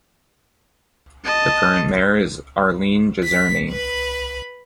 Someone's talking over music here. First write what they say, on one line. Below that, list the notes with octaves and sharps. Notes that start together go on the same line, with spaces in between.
The current mayor is Arlene Jezierny.
D#5 A5
B6
B4 B5